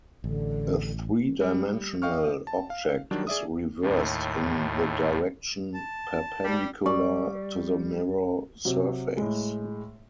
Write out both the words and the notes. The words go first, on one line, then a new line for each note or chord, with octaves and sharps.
A three-dimensional object is reversed in the direction perpendicular to the mirror surface.
A1 D3
G3
D#5 F5 G5 C#6 F6
A5
F5
D#3 F#3 G3 D4
G#4 D5 E5 D#6
D#2 A2
A5
G3
G3 D5 C#6
C3 F#3
A2 G#3